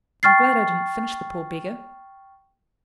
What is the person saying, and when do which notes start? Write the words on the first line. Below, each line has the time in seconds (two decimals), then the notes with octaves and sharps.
I'm glad I didn't finish the poor beggar.
0.23 G5 C#6 F6 A6 C7